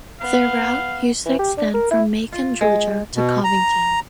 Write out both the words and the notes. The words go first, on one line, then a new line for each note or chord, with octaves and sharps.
Their route used to extend from Macon, Georgia to Covington.
B3 F5
E3
G4
D4
A#4
E4
F4
G#3
B2
A#5